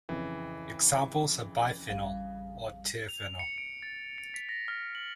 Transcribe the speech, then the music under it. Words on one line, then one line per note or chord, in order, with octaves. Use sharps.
Examples are biphenyl or terphenyl.
F2 C#3 E3
A1 G3 F5
F7
C#7
D7
A6
C#7
B6
A#6
F6
F#7